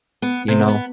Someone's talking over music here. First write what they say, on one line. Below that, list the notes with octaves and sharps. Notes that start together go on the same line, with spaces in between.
You know?
B3
C3
B3